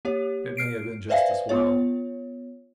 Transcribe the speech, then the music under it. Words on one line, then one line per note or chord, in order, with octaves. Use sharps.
It may have been just as well.
A#3 G4 C#5
F6 C7 D7
B4 C5 D5 E5 F5 G#5
B3 F4 C#5